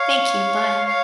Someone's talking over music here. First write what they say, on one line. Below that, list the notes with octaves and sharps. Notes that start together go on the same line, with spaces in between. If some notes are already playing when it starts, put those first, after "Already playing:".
thank you. Bye.
Already playing: C#5 F5
C#5 F5